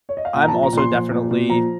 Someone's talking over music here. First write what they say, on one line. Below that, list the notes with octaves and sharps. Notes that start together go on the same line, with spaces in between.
I'm also definitely
C#5
D#5
F5
A#2 F#5
A#5
A5
F3
A#5
A#2 C6
F3
A#2
A#2
F3 A#5